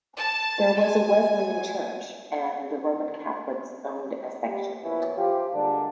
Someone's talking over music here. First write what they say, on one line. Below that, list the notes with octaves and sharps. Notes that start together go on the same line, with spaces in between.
There was a Wesleyan church, and the Roman Catholics owned a section.
A5
G#5
G3
A#1 F#2 B3 C#4 E4
F3 F4 G4
D3 G3 G#3 A#3 D4